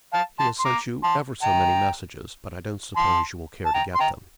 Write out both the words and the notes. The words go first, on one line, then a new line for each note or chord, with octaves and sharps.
He has sent you ever so many messages, but I don't suppose you will care to get them.
F5 A5
A5 C6
C6
A#5 D6
A5 C6
G5 A#5
A5 C6
A5
G5 A#5
C6
G5 A#5